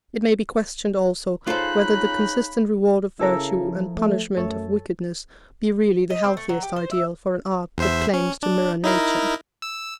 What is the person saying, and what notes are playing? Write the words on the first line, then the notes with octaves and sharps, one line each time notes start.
It may be questioned, also, whether the consistent reward of virtue and punishment of wickedness be really the healthiest ideal for an art that claims to mirror nature.
C#3 D#4 F4 A4 C5 B5 F#6
C#3 E4 A4 A#4 E6
F3
A3
F#2 A3 A4 C#5
D#5
C4
A3
F#3
G4
C5
E5
E2 C5 E5
C#4
D4
D#4 E4 A#4
E6